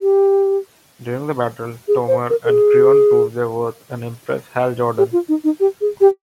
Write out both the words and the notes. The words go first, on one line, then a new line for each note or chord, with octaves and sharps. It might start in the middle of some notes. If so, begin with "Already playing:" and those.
During the battle Tomar and Kreon proved their worth and impressed Hal Jordan.
G4
G#4
C5
A#4
A#4
G#4
G4
F4
D#4
D#4
G4
G#4
G4